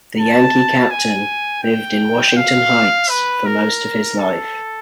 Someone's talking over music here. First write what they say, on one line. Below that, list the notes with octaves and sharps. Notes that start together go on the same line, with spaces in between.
The Yankee captain lived in Washington Heights for most of his life.
A5
G#5
G5
F5
B4
A#4
A4